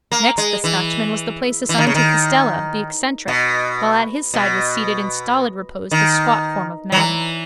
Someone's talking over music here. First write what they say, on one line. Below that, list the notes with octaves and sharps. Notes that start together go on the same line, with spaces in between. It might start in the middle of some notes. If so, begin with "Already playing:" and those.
Next the Scotchman was the place assigned to Costello, the eccentric, while at his side was seated in stolid repose the squat form of Madden.
A#3
G#3
E3
E3
D#3
C#3
D#3
B2
B2
D#3
F#3
E3